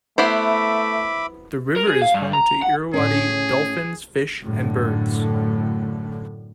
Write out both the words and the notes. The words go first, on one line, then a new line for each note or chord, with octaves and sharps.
The river is home to Irrawaddy dolphins, fish, and birds.
A3 B3 E4 C5 E5 B5 D6
A#4
G#4
F5
G2
A#5
F#5
A2 C#4 G#4
F#2 A2 D3